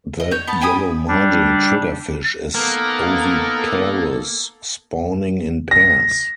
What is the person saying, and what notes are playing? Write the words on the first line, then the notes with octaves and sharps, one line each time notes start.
The yellowmargin triggerfish is oviparous, spawning in pairs.
D#5
C#5 G6
B3 A5
G5 G#5 B5 D#6
G3 D4
D#3 A#3 B3 A4 A#4
A#6